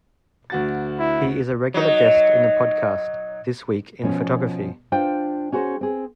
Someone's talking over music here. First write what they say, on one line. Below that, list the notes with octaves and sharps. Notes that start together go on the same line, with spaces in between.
He is a regular guest in the podcast 'This Week in Photography'.
D2 F#4 A6
E4
F#3 D#4
B2 F3 C#4
D4 F4 C5 G5
C#4 F#4 G#4 C5
C4 G#4